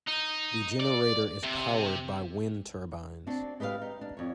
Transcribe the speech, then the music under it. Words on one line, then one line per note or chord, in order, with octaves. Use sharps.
The generator is powered by wind turbines.
D#4
D5
C3
C4 D4 F#4 D5
G#3 G4 B4 C5 F5
D#4
D4
F2 C#5